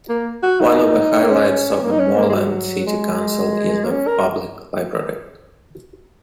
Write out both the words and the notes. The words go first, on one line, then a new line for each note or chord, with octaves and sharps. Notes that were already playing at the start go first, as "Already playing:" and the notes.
One of the highlights of the Moreland City Council is the public library.
A#3
F#4
D#4
A#3
C#4
A#3
D#4
C#4
A#3
G#3
F#3
G#3
A#3
C#4
A#4